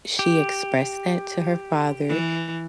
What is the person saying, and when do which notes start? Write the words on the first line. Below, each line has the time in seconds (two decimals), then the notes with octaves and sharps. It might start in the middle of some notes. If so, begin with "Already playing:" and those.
she expressed that to her father,
0.19 G4
2.09 E3